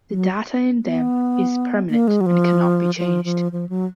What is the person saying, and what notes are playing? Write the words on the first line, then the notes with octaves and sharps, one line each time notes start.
The data in them is permanent and cannot be changed.
F#3
B3
A#3
G#3
F#3
F3
F3
F3
F3
F#3